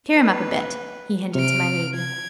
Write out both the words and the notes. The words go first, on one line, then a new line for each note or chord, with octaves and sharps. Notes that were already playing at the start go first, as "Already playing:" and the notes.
"Cheer 'em up a bit!" he hinted to my Lady.
B4
C3 F6 D7
G#6